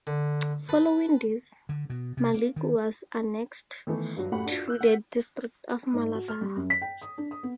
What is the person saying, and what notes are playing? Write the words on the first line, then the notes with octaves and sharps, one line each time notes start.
Following this, Maliku was annexed to the District of Malabar.
D3
B4 A5
D3
B2
C3
A#3
D#3
D#3 E3 A3 B3
G2 F#3
F#2 A2 A3 G4 F#5 B5
D4 F4 F#4
E6 F#6 G6
F#5 B6
G#2
F#4
F6
G3
F#2
B6
G5
D#6
D4
D#6
B3